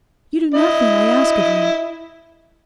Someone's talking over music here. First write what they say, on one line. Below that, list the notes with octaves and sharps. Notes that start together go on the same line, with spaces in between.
You do nothing I ask of you.
E4 D#5